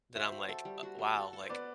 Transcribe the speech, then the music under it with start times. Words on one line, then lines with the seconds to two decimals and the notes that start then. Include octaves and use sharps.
that I'm, like, uh, wow, like,
0.15 F#4 C5 E5
0.32 F#4
0.49 A4
0.65 G3
0.83 F#4
0.99 F#4
1.16 A4
1.33 A4
1.42 C5
1.50 B3 B4 D5